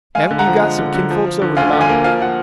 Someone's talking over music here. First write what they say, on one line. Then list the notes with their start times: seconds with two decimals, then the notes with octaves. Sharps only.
"Haven't you got some kinfolks over the mountain?"
0.15 G#3 F5 G#5
0.31 D3
0.39 F#5 A#5
0.47 F3
0.62 G#3
0.78 D3
0.94 D3
1.10 F3
1.26 F3
1.42 D3
1.57 D2 F5 G#5
1.73 D3
1.81 F5 G#5
1.89 A#3
2.04 F3 F5 G#5
2.20 F3 F#5